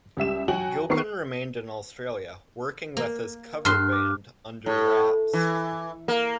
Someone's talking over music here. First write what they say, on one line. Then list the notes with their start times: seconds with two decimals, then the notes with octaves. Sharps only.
Gilpin remained in Australia, working with his cover band Under Rapz.
0.17 C#2 G3 E5 E7
0.48 F#3 F#4 G5 G#5 F#7
0.90 D#3 B3 A#4 B4 C#6 C7
2.97 A#3
3.65 G2 C6 F6 F#6
3.93 D6
4.66 A2
5.33 E3
6.08 A#3